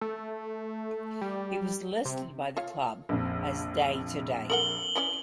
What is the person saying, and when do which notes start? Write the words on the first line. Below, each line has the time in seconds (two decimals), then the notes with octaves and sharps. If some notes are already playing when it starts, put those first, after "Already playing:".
He was listed by the club as day-to-day.
0.01 A3
1.21 G3
2.05 C3
2.57 F4 C#5 F5
3.09 A#1 F2
4.50 A4 A#4 F#5 F#7 G7
4.95 E3 C#4 D5